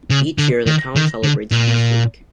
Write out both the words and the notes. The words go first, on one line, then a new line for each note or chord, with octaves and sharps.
Each year the town celebrates Beef Week.
C#3
D3
D#3
D#3
D3
A#2